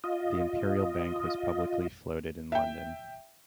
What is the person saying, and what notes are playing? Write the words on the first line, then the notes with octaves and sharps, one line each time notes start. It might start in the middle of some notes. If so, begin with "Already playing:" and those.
The Imperial Bank was publicly floated in London.
F4 D#5
E5 G5